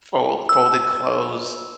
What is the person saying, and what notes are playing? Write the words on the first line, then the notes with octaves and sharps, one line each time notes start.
fol folded clothes
E6